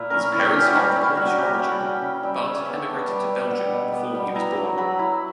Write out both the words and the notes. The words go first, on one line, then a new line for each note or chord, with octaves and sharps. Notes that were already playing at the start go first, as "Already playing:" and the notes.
His parents are of Polish origin but immigrated to Belgium before he was born.
Already playing: A#2 E4 E5
C#4 A#4
E4
G4
C#4
F#4
G3
C#4 E4
G3 F#4
C#4 G4
G3 F#5
C#3 G5
C#3
G3 E5
C#3 C#5
D5
B3 E5
D4
G3
G3
G3 F#5
B2
B3
G3
E4 A#5
F#3
F#3 B5
E4